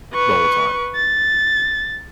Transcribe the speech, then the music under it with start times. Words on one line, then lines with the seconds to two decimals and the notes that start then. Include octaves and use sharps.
the whole time.
0.14 B4 C#6
0.96 A6